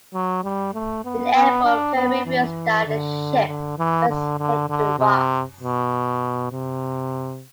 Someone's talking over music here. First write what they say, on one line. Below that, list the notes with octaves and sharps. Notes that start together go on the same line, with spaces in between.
An airborne flare reveals that a ship has hit the rocks.
F#3
G3
A3
B3
B3
D4
B3
E3
D3
D3
E3
D3
D3
D3
C3
B2
C3